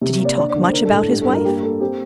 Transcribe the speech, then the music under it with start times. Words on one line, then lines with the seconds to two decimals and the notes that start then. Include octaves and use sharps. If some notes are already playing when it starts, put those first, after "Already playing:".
"Did he talk much about his wife?"
0.01 C3
0.19 A#3
0.25 D5
0.37 D4 D5
0.49 D5
0.55 D3
0.61 C5
0.73 D4 A#4
0.85 A4
0.91 A2
0.97 A4
1.09 G2 G4
1.21 A4
1.27 G2
1.33 A#4
1.45 A#3 G4
1.63 A#3 A4
1.80 C4 G4